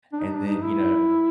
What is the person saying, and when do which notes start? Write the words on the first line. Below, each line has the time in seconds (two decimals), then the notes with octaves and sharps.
and then, you know, uh,
0.13 D4
0.21 D#4
0.35 D4
0.50 D#4
0.63 E4